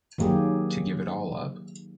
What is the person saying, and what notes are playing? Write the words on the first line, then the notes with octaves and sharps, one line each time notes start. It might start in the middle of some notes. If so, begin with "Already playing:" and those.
To give it all up.
D#3 F#3 A#3 G4 G#4